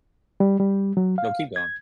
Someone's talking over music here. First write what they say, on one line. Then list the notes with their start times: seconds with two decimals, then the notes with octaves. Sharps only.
No, keep going.
0.40 G3
0.60 G3
0.97 F#3
1.18 F5
1.56 G#6